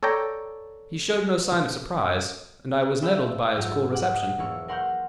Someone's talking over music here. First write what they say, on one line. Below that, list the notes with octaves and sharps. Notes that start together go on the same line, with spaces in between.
He showed no sign of surprise, and I was nettled by his cool reception.
A4 C#5 D5 G5 A#5
D5 E5 F5 G5 B5 E6
G#2 F#3 F4 G4 F5 E6
F#5 D6
D#5
E1 A#3 E4 F5 C#6
A#4 F#5 C6 C#6 F6 G6